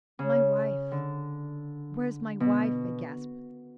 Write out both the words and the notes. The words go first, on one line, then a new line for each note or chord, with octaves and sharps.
"My wife--where is my wife?" I gasped.
C#3
D3
B2